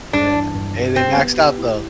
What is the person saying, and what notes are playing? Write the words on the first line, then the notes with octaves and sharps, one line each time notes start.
Yeah, and they maxed out, though.
G2 D4
E3
G2
G3
C4 G4
B3
G4
E4